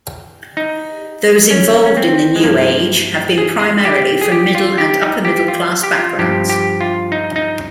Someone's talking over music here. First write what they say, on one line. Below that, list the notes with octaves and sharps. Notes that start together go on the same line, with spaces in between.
Those involved in the New Age have been primarily from middle and upper-middle-class backgrounds.
D#4
C#4
C#4
C4
G#3
G2 F3 A#3
G#4
G#4
G4
G#4
G4
F4
G4
D#4
G4
F4
G4
F4
G2 F3 G4
G4
F4
D#4
D#4